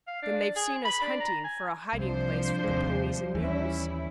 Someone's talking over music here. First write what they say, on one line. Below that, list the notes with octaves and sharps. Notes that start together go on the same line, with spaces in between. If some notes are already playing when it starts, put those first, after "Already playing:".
"Then they've seen us hunting for a hiding-place for the ponies and mules?"
F5
D4
G#4
B5
D4
A#5
G#5
C2 F3 D4 C5
D#2 C3 G#3
D#2 E3 G3 C#4 E4